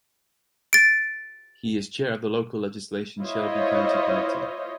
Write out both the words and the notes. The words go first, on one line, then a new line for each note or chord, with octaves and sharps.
He is chair of the Local Legislation Shelby County Committee.
A6 D7
E4 F4 C5 C#5 D#5